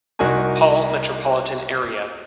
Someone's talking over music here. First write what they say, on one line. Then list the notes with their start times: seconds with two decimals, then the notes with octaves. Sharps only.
Paul metropolitan area.
0.19 C2 D#4 F#4 A#4 G#5